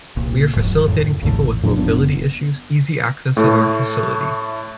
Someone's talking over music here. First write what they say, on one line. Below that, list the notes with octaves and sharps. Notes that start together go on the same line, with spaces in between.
We are facilitating people with mobility issues easy access in our facility.
C2 A#2
D1 G#2 F#3
F2 A2 D#3
A1 E2 A2 A3
A2 F#3 D4
F#1 G2 B3 D4
A2 A3